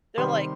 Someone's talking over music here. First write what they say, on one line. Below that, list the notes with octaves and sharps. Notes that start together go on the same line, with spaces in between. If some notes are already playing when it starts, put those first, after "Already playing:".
they're like,
C3 D#3 G3 C6